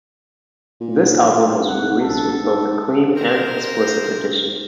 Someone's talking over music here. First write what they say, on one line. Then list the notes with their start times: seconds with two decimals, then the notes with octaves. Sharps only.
This album was released with both a "clean" and "explicit" edition.
0.81 A#2
1.22 F4
1.68 C2 F#5
2.02 A#1 A4
2.43 G#2
3.16 A#4 C5